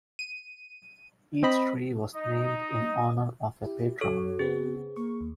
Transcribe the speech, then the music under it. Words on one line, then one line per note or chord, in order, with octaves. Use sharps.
Each tree was named in honor of a patron.
D#7
C4 D#5 B5
D#4 D#5 D#6
E4 G4
F#2 F#4 A4 C#5
C#3 B3 C4 G#4
A#3 C#6
D#2